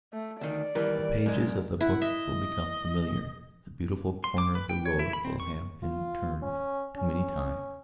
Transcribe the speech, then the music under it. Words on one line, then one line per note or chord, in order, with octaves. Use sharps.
The pages of the book will become familiar; the beautiful corner of the road will have been turned too many times.
A3
D2 D#3 D5
D#2 E3 G3 A#4
F#2 G#3
E4 F#5
D#5 E5
C6
D6
B4
G5
C#5
E4
B5
C4
C#6
F4
C#4
C#4